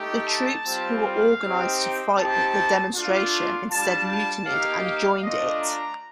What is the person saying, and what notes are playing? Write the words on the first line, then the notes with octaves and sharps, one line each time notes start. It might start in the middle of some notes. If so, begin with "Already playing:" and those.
The troops who were organized to fight the demonstration instead mutinied and joined it.
Already playing: A3 D#4 G4
A5
G3 C4 F4
F5
C4 D#4 G4
G5
C4 D#4 G4 A5
A3 D4 F4
G3 D4 F4 A5
A5
A#3 D#4 G4 F5
F5
A3 D4 F4 D#5
A#5